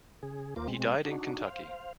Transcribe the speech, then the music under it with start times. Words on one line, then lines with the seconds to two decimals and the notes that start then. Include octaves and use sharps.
He died in Kentucky.
0.23 C#3 G#4
0.56 D#2 A#3 F4 A#4 C5 D6
0.68 B2 G#3 C4
1.05 D4 D#4 F#4
1.45 C5 F5